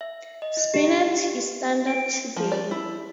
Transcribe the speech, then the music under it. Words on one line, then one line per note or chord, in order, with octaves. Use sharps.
"Spinet" is standard today.
E5
D#5
E4
G4
D7
F3
D5
E4